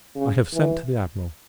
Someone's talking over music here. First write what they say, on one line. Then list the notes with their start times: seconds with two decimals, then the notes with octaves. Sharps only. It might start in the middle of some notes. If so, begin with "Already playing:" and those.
I have sent to the Admiral.
0.16 C#3
0.53 E3